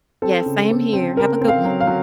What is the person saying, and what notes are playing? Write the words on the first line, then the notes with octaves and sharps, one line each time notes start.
Yes, same here. Have a good one.
C4 A4
C#3
C4
C4
C#3 A#4
C4
F5
F#3
F5
F#3